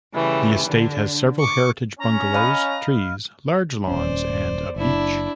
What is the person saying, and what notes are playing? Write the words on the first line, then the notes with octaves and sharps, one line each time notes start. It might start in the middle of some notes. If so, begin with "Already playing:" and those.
The estate has several heritage bungalows, trees, large lawns and a beach.
C#3 E3 G3 A3
D3 D4
C#6 D6
C#4 A#5
B4 D#5 F5
D#1 C#4 C5 D5
F#1 D4 E4